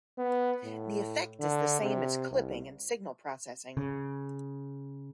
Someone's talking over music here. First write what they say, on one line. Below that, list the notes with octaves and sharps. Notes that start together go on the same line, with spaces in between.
The effect is the same as clipping in signal processing.
B3
A2
D3
C3
C2
C#3